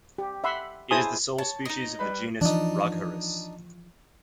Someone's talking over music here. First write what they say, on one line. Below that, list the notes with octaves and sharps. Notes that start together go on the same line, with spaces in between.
It is the sole species of the genus Rhagerhis.
G4
E5 F#5 B5 C6
E4 G#4 C5 G#5 A5 D#6
C#5 A5
D#4 D#5
G3 B4 B5
E3 F3 D4 D#4